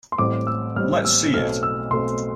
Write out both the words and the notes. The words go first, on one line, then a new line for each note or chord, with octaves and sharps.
Let's see it!
C6
A1 A2 G3 C4 D6
E6
A1 A2 G3 C4 F6
E6
B1 B2 A3 C4 F6
E6
B1 B2 A3 C4 C6